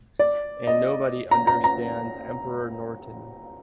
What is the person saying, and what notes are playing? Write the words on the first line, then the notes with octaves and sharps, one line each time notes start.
And nobody understands Emperor Norton.
D5
D#5
A#5
A#5
A#5